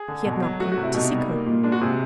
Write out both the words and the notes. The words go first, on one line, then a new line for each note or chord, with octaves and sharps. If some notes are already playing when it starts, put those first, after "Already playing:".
He had not come to seek her.
Already playing: G#4
D3
B2
F#3
A3 F#4
F#4
C3
E4
B2 D#4
G3
A#3
A#2
G#3 D4
F#4
C3 G#4